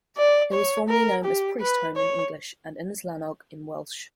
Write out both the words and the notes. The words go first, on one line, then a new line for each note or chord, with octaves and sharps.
It was formerly known as Priestholm in English and Ynys Lannog in Welsh.
D5
C#5
A#4
G4
B4
C#5